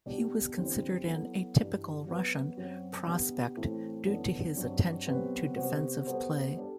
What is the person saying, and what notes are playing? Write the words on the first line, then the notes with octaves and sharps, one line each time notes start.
He was considered an atypical Russian prospect due to his attention to defensive play.
B2 G3 D4 G4
E2 D3 G3 C4 E4
F#3 B3 E4 A4
G2 E3 G3
F#3 B3 F#4 B4
F#2 F#3 C4 F#4
B2 G3 B3 D4
A2 E3 A3 C4 E4
F#2 E3 B3 D4 A4
G2 F#3 C4
B2 F#3 C4 G4 B4
C3 G3 B3 F#4 C5
G3 B3 F#4 A4 C5
G3 D4 A4